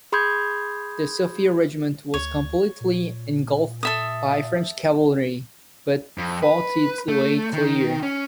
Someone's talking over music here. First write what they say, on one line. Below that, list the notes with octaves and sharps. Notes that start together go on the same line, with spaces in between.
The Sophia Regiment was completely engulfed by French cavalry but fought its way clear.
G#4 B5 C6 D#6 G6 G#6
D2 C#5
A#2
A4 E5 D#6
F2
B4
A3
D#3
C#4